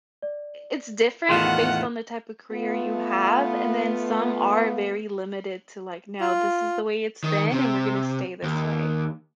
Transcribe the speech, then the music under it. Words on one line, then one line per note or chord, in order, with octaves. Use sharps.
it's different based on the type of career you have, and then some are very limited to, like, "No, this is the way it's been, and we're gonna stay this way."
D5
E2 A2 D#3 F4 G#4 F5 F#5 C6
A3 B3 F4
F4
D#3
C3
D#2